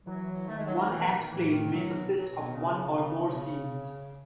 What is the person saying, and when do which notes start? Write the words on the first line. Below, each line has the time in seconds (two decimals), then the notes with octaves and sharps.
One-act plays may consist of one or more scenes.
0.05 E3 F#3
0.47 D#3 A3
0.57 G#3
0.66 F#3
0.75 G#3
0.84 F#3
0.88 B2 E3
1.09 D#3
1.30 A2 E3
1.51 D#3
1.71 B2 F#3
2.13 F#3
2.47 D#3
2.54 C#3